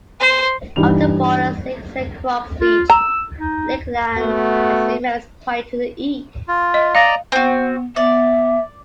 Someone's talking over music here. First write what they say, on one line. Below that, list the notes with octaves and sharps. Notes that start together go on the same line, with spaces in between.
Afton borders Lake Saint Croix Beach, Lakeland, and Saint Mary's Point to the east.
C5
G2 E3 G3 D#4 F7
F4
A#5 E6
D#4
A3 B3 F#4
F4
D#5
D5 D#5 F5 A#5
B3 C4 F#4
B3 D5 E5